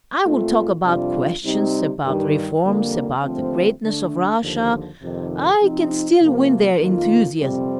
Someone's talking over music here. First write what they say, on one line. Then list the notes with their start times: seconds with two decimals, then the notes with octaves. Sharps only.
I will talk about questions, about reforms, about the greatness of Russia.... I can still win their enthusiasm!
0.25 A#2 A3 C4 F4
0.84 F2 C3 G3 D4 F4
1.44 C3 G3 C4 D#4
2.04 G2 D#3 G3
2.64 F2 D3 G3 A#3
3.23 D#2 D3 F3 A3 C4
3.83 D3 A3 D4
4.42 D#2 D3 F3
5.02 F2 C3 D#3
5.61 C3 F3 C4 D#4
6.21 C3 F3 A#3
6.80 F2 D#3 A#3 F4
7.40 F2 C3 G3 C4